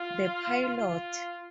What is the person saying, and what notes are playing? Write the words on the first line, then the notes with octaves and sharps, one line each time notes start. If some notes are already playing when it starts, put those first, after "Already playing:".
The Pilot.
Already playing: F4
F4